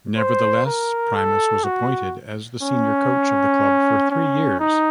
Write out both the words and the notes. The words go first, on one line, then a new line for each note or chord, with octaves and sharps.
Nevertheless, Primus was appointed as the senior coach of the club for three years.
C5
A#4
A4
F#4
C#4
C#4
D#4